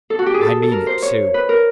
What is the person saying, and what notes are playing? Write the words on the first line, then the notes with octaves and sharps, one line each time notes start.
I mean it too.
A4
F#4
G4
G#4
A4
A4
A#4
C5
C#5
B4
A#4